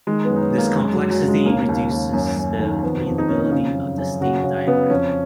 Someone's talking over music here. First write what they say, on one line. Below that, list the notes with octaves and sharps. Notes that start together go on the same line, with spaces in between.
This complexity reduces the readability of the state diagram.
D#3 G#3
B3
F#2
D#4
C#4
F#2
A#3
F#2 G#3
F#3
F#2
F#3
C#3
G#3
D#2 A#3
D#2
D#2
F#2
F#2
D#3
F2 B3
F2
D#4
F2 C#4
D#4
C#3
F#2
F#2
C#3 F#4
C#3
C#3 B3
F2 C#4